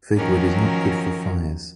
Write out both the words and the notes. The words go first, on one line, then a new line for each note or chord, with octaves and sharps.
Fig wood is not good for fires.
D#3 F3 F#3 C#4 A#4